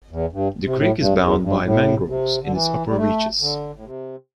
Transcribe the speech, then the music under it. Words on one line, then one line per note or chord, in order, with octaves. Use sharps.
The creek is bound by mangroves in its upper reaches.
E2
G2
C3
A2
G2
E2
G2
A2
C3
D3
E3
G3
A3
D3
A2
C3